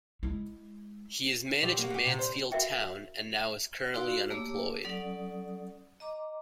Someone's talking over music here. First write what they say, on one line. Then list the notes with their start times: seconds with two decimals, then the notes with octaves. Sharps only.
He has managed Mansfield Town, and now is currently unemployed.
0.23 G#3 E4
1.62 F3 F#3 G4
1.78 A#3 F#4
1.90 F#4 G4
2.07 C3
2.19 C5
2.52 F#4 A#4 E5 F5 G5
3.94 D#4 F#4 D5 F5 C6 E6
4.30 A3 A#3 G4 C#5 D6 E6
4.85 F#3 C#4 A4 D5 F#5 D#6
6.00 D#5 A#5 D6